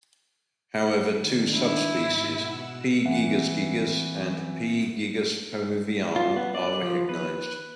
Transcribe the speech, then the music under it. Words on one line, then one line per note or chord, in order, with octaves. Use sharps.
However two subspecies "P. gigas gigas" and "P. gigas peruviana" are recognised.
D#3 D4
E4
G#2
B2 F#5 E6
E3 C4 E5 F#5
F4
B3
D5
F3
B4